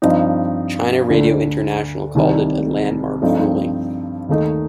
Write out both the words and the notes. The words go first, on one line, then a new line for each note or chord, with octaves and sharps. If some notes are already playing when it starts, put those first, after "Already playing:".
China Radio International called it a "landmark ruling".
G2 F3 C4 D#4
D2 D3 A3
C2 C3 D#3 G3
G2 F3 A3 C4 D#4
D#2 D#3 A3 D#4